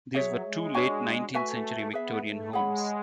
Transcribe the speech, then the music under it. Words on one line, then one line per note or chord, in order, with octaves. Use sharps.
These were two late Nineteenth Century Victorian homes.
F#3 G#4 C#5 E5
G#3
D4 F#4 C#5 G#5
A3 F#4 B4 E5 G#5
B3 G#4 B4 E5
A3
G#3 G#4 C#5 F#5 B5